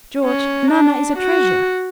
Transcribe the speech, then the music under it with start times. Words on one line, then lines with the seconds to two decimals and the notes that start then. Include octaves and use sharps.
"George, Nana is a treasure."
0.24 C#4
0.71 D4
1.18 F#4